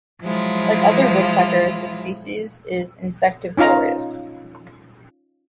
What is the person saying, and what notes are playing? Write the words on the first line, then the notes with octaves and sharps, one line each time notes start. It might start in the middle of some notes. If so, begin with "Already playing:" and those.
Like other woodpeckers, this species is insectivorous.
F3 F#3 G#3 E4 F4
C#4 D#4 F4 F5 A#5